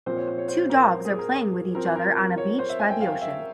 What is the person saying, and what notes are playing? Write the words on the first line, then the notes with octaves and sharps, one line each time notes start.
Two dogs are playing with each other on a beach by the ocean.
A#2 F3 C4 C5
C#5
C5
C#5
C5
A#4
C5
G#4
A#4
F3 C4 A#4
C5
A#4
A#4
C#5
C5
E5
G#5
G5
F5
E5